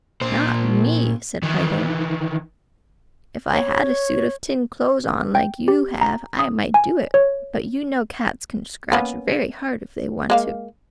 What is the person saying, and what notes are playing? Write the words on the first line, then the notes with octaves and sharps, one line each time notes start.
"Not me!" said Fido, "If I had a suit of tin clothes on like you have I might do it, but you know cats can scratch very hard if they want to!"
A#2 C5
D#3 E3
C#5
G5
G4
A#5
D#6
G#5
C#5
A#3 B3 C#4
G#3 A#3 F5